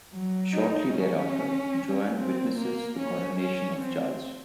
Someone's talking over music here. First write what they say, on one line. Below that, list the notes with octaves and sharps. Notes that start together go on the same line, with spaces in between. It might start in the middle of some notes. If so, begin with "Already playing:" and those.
Shortly thereafter, Joan witnesses the coronation of Charles.
F#3
D#4
C#4
C4
A#3
C#4
C#4
C4